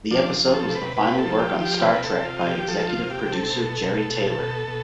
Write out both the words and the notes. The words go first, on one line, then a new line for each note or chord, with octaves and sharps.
The episode was the final work on "Star Trek" by executive producer Jeri Taylor.
F3 D4
F3
A4
C3
B4
C3 B4
A4
F3
G4
F3
G4
C3 B4
A4
C3
F4
F3
G4
F3 A4
F4
C3
G4
C3
A4
B2
B2
B2
B2
B2